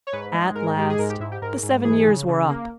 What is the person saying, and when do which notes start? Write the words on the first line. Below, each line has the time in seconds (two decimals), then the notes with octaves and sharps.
At last the seven years were up.
0.07 C#5
0.13 G#2 B4
0.34 G#3
0.55 G#2 A#4
0.77 G#3 G4
0.90 G#4
0.99 G#2 A#4
1.10 G4
1.20 G#2 E4
1.32 G4
1.42 G#2 A#4
1.63 G#2
1.84 E3 G#4
2.07 C#3
2.28 C#3
2.49 A#3